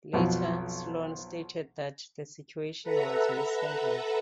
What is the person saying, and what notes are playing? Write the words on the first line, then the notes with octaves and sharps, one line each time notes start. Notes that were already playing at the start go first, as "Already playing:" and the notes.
Later, Sloan stated that the situation was "mishandled".
B1 F2 B2
A4 B4 E5 F#5 A#5